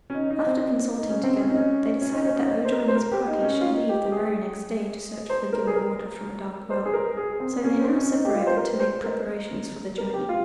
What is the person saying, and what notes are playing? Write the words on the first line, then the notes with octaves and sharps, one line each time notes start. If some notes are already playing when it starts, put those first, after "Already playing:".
After consulting together they decided that Ojo and his party should leave the very next day to search for the gill of water from a dark well, so they now separated to make preparations for the journey.
C#4
D#4
D#4
C4
D#4
C#4
C4
C#4
D#4
C#4
C#4
D#4
C#4
D#4
C5
A#4
C5
A#4
G4
D#4
C#4
F4
D#4
G4
G4
G#4
C5
A#4
G#4
A#4
C5
G#4
A#4
G#4
C4
C#4
C4
C#4
D#4
G4
F4
C5
A#4
C5
A#4
A#4
G4
F4